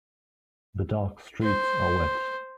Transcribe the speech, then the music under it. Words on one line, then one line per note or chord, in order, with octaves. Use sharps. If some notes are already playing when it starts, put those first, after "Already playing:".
The dark streets are wet.
C5